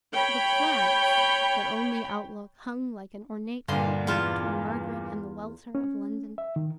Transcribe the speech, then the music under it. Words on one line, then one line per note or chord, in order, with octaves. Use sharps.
The flats, their only outlook, hung like an ornate curtain between Margaret and the welter of London.
C#5 G5 B5
G2 A#2 D3 C6
E2 F4 A5
C#4
E5
D#3